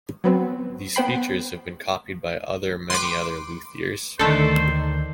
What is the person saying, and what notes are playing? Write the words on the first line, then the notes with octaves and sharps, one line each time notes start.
These features have been copied by other many other luthiers.
F#3 B3 C4
B3 C5 G5 B5 C7
B4 G5 C6 D6
D2 D3 D#3 A3 D4 A4 C5